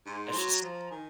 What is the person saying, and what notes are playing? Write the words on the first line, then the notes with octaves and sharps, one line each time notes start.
that's just
G#2 C6
F#3
A#5
F3
D#3 G#5